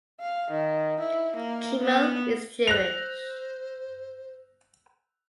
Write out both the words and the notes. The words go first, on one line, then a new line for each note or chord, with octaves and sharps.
Kimmel is Jewish.
F5
D#3
E4
A#3
B3
C5 F#6 A#6 F7